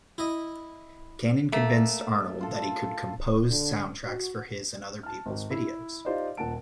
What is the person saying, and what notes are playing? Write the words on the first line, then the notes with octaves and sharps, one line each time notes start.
Cannon convinced Arnold that he could compose soundtracks for his and other people's videos.
E4 D#5
A3 A#3
F4 A4
D3
F#4
A5 F6
G#1
E4
D#4 F4 G4 C5 D5 D#5
D#1 A#2 A#4 F#5 A5 D7